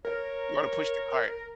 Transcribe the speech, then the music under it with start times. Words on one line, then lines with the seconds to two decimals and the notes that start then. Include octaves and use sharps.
You oughta push the cart.
0.05 A#4 C#5